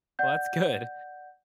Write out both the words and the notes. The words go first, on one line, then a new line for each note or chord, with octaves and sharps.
well, that's good.
D5 F#5 G6